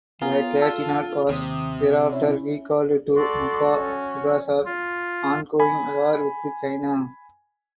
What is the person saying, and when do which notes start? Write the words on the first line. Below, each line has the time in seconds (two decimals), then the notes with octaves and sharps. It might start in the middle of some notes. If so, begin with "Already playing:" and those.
The "Catinat" was thereafter recalled to Macau because of the ongoing war with China.
0.22 B3 F4 G#4 A#4
0.62 A4 A5
1.29 D#2 C3 D#6
2.13 C#4 E4
3.16 F#4 A4 D5 C6
3.74 C#4
4.65 F4
5.60 G#5 B5